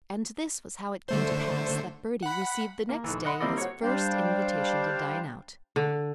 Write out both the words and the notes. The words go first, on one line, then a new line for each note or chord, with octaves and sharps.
And this was how it came to pass that Bertie received the next day his first invitation to dine out.
D3 A3 C5
F#5 B5
A#3
B1 E3
D#5 F#5 B5 C6
G3 A#3 C4 E4 D5 D#5
F#4 C5 C#5
G3 D4 C5 D5 F5 G5
D3